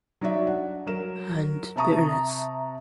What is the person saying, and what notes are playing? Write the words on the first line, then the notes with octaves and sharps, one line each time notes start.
And bitterness.
F#3 D#4 F#4 D5 E5
D4 F#5
F#3 A#4 E7
C3 E5 A5 A#5 C#6 D#6